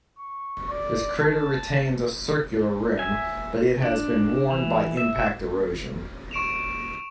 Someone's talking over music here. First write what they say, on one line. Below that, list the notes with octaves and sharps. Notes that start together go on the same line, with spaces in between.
This crater retains a circular rim, but it has been worn by impact erosion.
C#6
D5
A5
E5 G#5
D4
E3
E5
C#6 D7 E7 F7